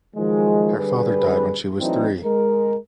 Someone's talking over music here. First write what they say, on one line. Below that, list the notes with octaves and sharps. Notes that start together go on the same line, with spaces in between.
Her father died when she was three.
D#3 F3 F#3 G#3
D3 G3 G#4 B4
E3 F#3 A3 C4 D4 D#4
G#3 A#4